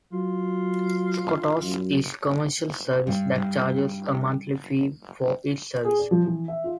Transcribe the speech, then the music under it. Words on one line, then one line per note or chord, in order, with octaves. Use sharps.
Skotos is a commercial service that charges a monthly fee for its services.
F#3 F4
F#2
G2
G2
G#4
D5
F3
E3
E5
F4